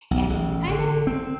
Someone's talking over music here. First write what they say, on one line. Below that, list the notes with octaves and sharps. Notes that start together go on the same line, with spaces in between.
and it's kind of,
B1
A1
D3
C4